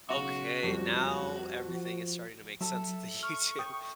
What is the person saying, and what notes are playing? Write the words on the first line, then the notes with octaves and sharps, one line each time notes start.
Okay, now everything is starting to make sense to YouTube.
B1 C#3 F#4 C#6
F#1 F2 G3
F3
F#3 A4 E5
C#6 F6
G5 D#6